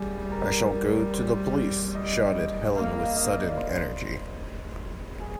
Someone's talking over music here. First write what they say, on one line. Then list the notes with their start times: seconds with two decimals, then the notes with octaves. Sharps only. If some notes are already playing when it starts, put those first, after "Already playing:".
"I shall go to the police," shouted Helen with sudden energy.
Already playing: G3 G#4
0.32 A#4
1.13 C5
1.95 D#5
2.75 A#3 F5
2.96 D#5
3.16 D#5
3.36 D5
3.57 C5
5.19 G#4